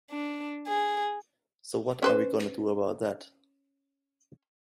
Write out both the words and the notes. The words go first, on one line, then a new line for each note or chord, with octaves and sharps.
So what are we gonna do about that?
D4
G#4
C#4 B4 C5